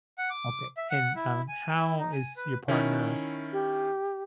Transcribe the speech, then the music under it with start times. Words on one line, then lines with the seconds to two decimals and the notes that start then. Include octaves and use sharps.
Okay. And, um, how is your partner
0.18 F#5
0.30 D6
0.77 E5
0.90 F#5
1.16 E4
1.48 G#5
1.74 E4
1.98 D#4
2.13 G#5
2.37 B4
2.68 D#3 C#4 E4
3.53 G4